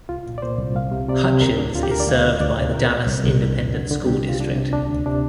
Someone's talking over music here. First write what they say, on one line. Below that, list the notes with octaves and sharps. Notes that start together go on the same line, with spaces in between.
Hutchins is served by the Dallas Independent School District.
C2 F4
A#2
D5
A#2 C5
C2
C2 F5
C3
C3 D5
C3
D2 A#4
D3 D4
D2 F4
G4
D2 A#4
D5
D2 F5
D2
D2 D5
C3
A#2 A#4
C2
C2
C2
D3
F2
D3
D3
C2 G4
C3
F4
C2 D4
C3
D2 D4
D2
C3 D4